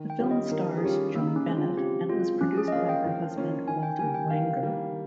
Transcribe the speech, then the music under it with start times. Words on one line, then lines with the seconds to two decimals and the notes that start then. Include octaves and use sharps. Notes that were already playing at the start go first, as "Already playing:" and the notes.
The film stars Joan Bennett and was produced by her husband Walter Wanger.
Already playing: D#3
0.10 G5
0.20 G3 C#4 F4
0.31 D#5
0.51 D#3 A#4
0.77 G#4
0.83 G3 C#4 F4 G4
1.14 C#3 A#3
1.27 D#4
1.36 C#4
1.47 G#3 C4
1.57 F4
1.77 C#3 G4
2.10 G#3 C4 F4
2.41 F3 C#4
2.57 G#4
2.68 D#5
2.72 A#3 C#4 F4 F5
2.89 G5
3.05 F3
3.36 A#3 C#4 F4
3.68 D#3 G#5
3.83 G5
3.99 G3 A#3 G#5
4.14 G5
4.30 D#3 F5
4.63 G3 A#3